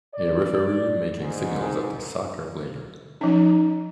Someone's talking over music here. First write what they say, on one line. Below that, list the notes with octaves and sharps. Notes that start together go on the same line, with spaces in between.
A referee making signals at a soccer player.
D5
G#2
F3 C#4 D#4